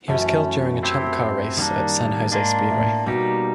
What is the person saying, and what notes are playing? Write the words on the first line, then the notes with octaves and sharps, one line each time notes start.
He was killed during a champ car race at San Jose Speedway.
F#2 E3 A3 C#4
A3 C4 E4 G4
D#3 G3 A#3 D4
G#2 A#3 D4 F4
A2
B2 G3 A#3 D#4 G4